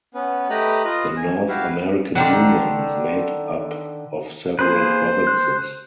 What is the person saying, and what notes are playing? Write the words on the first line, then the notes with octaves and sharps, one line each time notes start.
The North American Union is made up of several provinces.
B3 C#4 B4
A3 G4 B4 D#5 A#5 B5
F4 B4 D#5
G#5
E4 F#4 G4 E5 F5
B4
D3 D#3 F#3
A#3 G#4 B4 C5
F#6